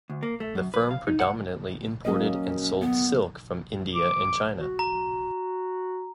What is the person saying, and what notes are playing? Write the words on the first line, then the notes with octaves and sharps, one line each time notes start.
The firm predominantly imported and sold silk from India and China.
D2
A#3
A3
F#2
B4
F5
D#4
F#5
F#3 A#3 C#4 D#5
B3
D6
F#4
A#5